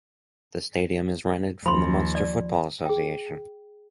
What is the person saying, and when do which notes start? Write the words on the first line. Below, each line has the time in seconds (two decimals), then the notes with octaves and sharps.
The stadium is rented from the Munster Football Association.
1.66 D#2 F3 B5 C6
2.15 D5
2.86 G#4 G5